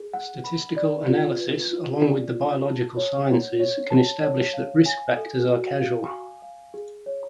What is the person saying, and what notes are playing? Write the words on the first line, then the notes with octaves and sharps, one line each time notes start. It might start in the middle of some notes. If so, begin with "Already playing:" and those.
Statistical analysis along with the biological sciences can establish that risk factors are causal.
Already playing: G#4
F#5
B5
D5
F4
B4
F4
D5
F4
A5
C#5
F#5
C#5
A5
C#5
F5
G#5
A4
F#4
F5
G#5
F5
G#4
C#5